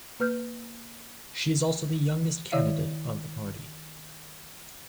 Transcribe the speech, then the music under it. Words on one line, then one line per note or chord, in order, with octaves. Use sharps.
She is also the youngest candidate of the party.
A#3 B4 F6 G6
D#3 E4 C#5 D5 E5 F5